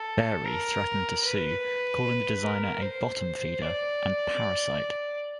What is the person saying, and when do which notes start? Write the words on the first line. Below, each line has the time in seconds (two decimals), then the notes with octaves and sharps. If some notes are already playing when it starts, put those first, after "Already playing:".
Fairey threatened to sue, calling the designer a "bottom feeder" and "parasite".
Already playing: A4
0.45 A#4
1.23 B4
2.42 A#4
2.82 C5
3.62 D5